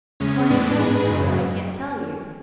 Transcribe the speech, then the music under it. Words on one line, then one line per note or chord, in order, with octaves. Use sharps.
'Why, that is just what I can't tell you.
E2 C#3 G#3 C#4
A2 E3 G#3 B3 D4
G#2 G#3 G#4 B4
F#2 C#3 F#3